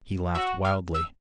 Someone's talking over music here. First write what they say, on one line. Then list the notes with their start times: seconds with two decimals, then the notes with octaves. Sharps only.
He laughed wildly.
0.34 F#4 E6
0.65 F6
0.94 E6